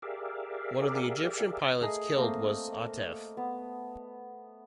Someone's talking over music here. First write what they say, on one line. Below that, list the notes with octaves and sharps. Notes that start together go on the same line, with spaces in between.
One of the Egyptian pilots killed was Atef.
G4 G#4 A#4 D5 E5 F5
A3 G#4 A#4 D#5
A3 A#3 C4
B3